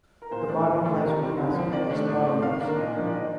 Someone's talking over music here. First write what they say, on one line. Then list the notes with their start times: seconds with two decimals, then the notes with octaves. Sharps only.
The Barnard High School mascot was Cardinals.
0.22 A#4
0.31 A#2 C5
0.49 A3 D4
0.66 A#2
0.84 A3 D4
1.02 C3 A#4
1.19 D#3 G3 C4
1.37 D3
1.54 F3 C4
1.72 D#3 D5
1.90 A3 D4
2.07 A2
2.25 A3 C4
2.42 D#3 F5
2.60 A#3 D4
2.77 A#2 D#5
2.95 F3 A#3 D4
3.07 D5
3.13 D#3 D#5